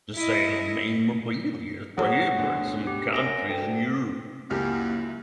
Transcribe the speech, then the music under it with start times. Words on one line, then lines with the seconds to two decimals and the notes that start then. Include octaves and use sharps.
The sale of memorabilia is prohibited in some countries in Europe.
0.16 E4 D#5
1.98 F#3 F#4 G#4 C#5
2.37 D2 B2 D3
2.87 G4
3.13 F#2 A#6 D7
3.49 D2 D4 G5
4.51 C#2 F#2 A#3 E4 G4 F6